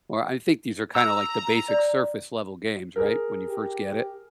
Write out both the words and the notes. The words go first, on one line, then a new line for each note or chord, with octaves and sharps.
or I think these are kinda like the basic surface level games, right, when you first get it.
A#5 E6
D5
G#4 A#4
G4